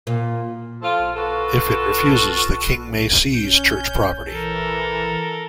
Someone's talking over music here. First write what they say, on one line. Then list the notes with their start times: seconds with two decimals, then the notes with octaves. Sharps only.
If it refuses, the king may seize Church property.
0.07 A#2
0.82 F3 F4 A4
1.16 F4 F#4 A4 B4
3.33 C#4 G6
4.30 E3 A4 A#4